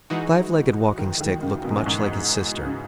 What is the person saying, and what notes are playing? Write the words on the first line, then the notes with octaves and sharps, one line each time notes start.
The Five-Legged Walking-Stick looked much like his sister.
E3 G#3 D#4 F#4
D#3
D#3
C#3
B2
F#2
G#2
C#3